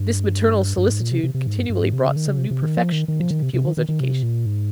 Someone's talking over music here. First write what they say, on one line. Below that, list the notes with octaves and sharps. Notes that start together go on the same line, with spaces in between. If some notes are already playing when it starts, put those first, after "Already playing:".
This maternal solicitude continually brought some new perfection into the pupil's education.
Already playing: G2
G2
G#2
A#2
C3
C3
C3
G#2
G2
G2
G#2
C3
C#3
D#3
C#3
C3
C3
D#3
F3
D#3
D#3
F3
D#3
C3
C3
D#3
D#3
D#3
C3
A#2
G#2